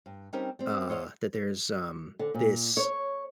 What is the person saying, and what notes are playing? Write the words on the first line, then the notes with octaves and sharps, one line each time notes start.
uh, that there's, um, this
G2
G3 C4 C#4 D#4 G4 A#4
G3 C4
C5 C#5 D#5 F5
D3
A#2
C#5